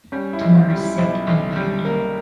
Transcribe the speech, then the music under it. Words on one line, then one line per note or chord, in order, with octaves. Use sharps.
Tamar is sick and bedridden.
G3 C#4
E4
B1
F4
G3
E4
B1 E4
B1
G3
A#3